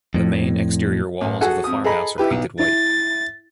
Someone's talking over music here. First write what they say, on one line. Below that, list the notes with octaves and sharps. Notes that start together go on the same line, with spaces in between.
The main exterior walls of the farmhouse are painted white.
F2 A2
A1
F#4 G#4 A4 F#5 G#5
F2 D#6
G#4 A4 D#5 A#5 B5
E4 G4 B4
B1
E4 A6